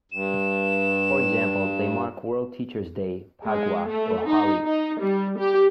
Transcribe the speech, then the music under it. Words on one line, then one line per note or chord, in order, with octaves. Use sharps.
For example, they mark World Teachers' Day, Phagwah, or Holi.
G2 E7
G#3
A3
D#4
D#4
G3
G4